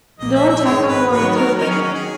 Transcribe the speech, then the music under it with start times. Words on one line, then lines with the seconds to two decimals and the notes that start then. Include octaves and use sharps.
No attack on Lawrence was made.
0.19 A#1 A#2 A#3 D#5
0.35 E5
0.49 E5
0.65 G#2 D#3 G#3 C#5
0.89 B4
1.11 D#3 F#3 B3 F#4 B4 C#5
1.35 A#4
1.58 D#3 F#3 C#4 A#4
1.70 G#4
1.82 F#4
1.95 G#4